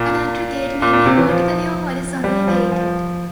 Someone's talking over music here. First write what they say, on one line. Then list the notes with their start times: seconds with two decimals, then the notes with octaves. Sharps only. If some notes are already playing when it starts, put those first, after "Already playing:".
An aggregate may be vertically or horizontally weighted.
Already playing: A#2
0.82 A#2
0.93 A#2
1.05 C3
1.17 E3
1.29 F3
2.24 G3
2.47 F3
2.72 F3